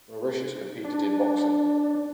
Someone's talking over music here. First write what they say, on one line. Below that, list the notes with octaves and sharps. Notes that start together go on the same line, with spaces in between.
Mauritius competed in boxing.
D4